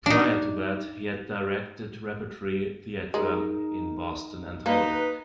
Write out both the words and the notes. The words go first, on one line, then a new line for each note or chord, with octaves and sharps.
Prior to that, he had directed repertory theatera in Boston and Hollywood.
D4 D#4
G#3 D#4 A#4
A#3 D#4 B4